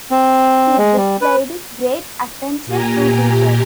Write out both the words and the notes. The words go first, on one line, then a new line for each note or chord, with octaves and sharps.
He displayed great attention to detail.
C4
G#3
G3
B4
A#2 G4 G#5 A#5